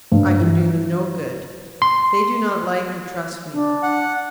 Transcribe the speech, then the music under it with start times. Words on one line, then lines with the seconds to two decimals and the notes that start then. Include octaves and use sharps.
I can do them no good--they do not like or trust me.
0.12 G2
0.40 E3
1.82 C6
3.52 D4
3.83 F#5